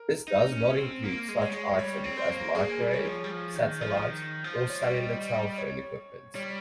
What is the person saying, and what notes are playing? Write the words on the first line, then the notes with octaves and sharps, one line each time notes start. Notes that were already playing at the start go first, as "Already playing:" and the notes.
This does not include such items as microwave, satellite, or cellular telephone equipment.
Already playing: A#4
D#4
C#4
C4
A#3
G#3
C#5
G3
G#3
G3 C#5
C4
C5
A#3
A#3 G#4
G3
C#5
F3
G3
F3
D#3
F3
D#3
F3
C5
C#5
G3 D#5
D#5
G3
D#5
C#5
G3 C#5